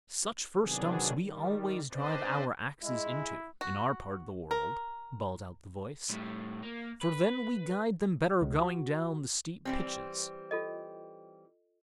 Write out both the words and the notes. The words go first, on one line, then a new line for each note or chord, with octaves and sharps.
'Such fir-stumps we always drive our axes into, in our part of the world', bawled out the voice; 'for then we guide them better going down the steep pitches.'
C3 D#3 F#3 B3 D4 G#4
D#3 G3
C4 D4 B4 C5 D5 D#5
G#3 E4
F#4
A#4
A2 G3
A#3
B4
C#2
F#4
E3 G3 C4
F4 A4 D#5